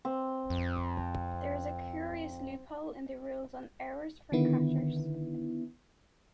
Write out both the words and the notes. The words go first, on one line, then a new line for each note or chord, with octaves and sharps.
There is a curious loophole in the rules on errors for catchers.
C4
F2
D3 D#3 B3 E4